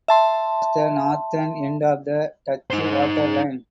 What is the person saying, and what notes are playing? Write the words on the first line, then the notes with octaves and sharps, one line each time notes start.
Muiden was the northern end of the Dutch Water Line.
E5 A5 C6
D#4 C5